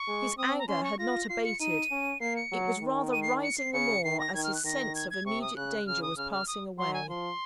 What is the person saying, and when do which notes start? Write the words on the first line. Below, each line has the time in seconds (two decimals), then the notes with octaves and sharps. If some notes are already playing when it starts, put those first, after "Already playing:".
His anger had not abated; it was rather rising the more as his sense of immediate danger was passing away.
Already playing: C#6
0.08 G#3
0.38 C4 D#6
0.59 A#5
0.68 C#4 C6
0.84 C#6
0.99 F4 A#6
1.29 F4 C7
1.44 C#7
1.60 D#4 D#7
1.91 C#4
2.20 A#3 C7
2.36 C#7
2.52 F#3
2.82 D#3
3.13 D#7
3.23 C7
3.43 C#7
3.58 C7
3.73 C#3 C#7
4.04 D#3 C7
4.20 A#6
4.34 D#3 G#6
4.44 F6
4.55 F#6
4.65 D#3 A#6
4.95 G#6
5.11 G#6
5.26 C3 C#6
5.42 D#6
5.56 C#3 F#6
5.87 C#3 F6
6.02 D#6
6.17 C#3 F6
6.32 F6
6.48 D#6
6.78 F#3 C6
6.94 G#5
7.08 F3 C6